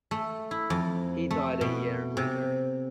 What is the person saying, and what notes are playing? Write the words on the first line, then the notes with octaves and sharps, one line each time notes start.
He died a year later.
A3
E4
F2
A3
B2
C3